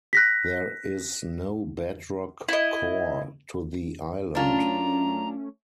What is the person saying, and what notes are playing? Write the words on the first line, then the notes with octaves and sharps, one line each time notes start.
There is no bedrock core to the island.
F#6 A#6 B6
E4 D#5
F#2 A3 C#4 D4 F4 A#5